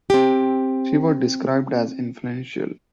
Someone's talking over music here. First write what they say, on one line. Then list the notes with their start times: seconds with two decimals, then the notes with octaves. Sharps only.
She was described as influential.
0.10 C4 G4